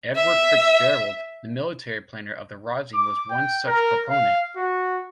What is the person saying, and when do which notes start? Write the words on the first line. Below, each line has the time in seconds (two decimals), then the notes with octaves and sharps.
Edward Fitzgerald, the military planner of the rising was one such proponent.
0.16 E5
2.94 D6
3.31 G5
3.67 A#4
4.09 F5
4.57 F#4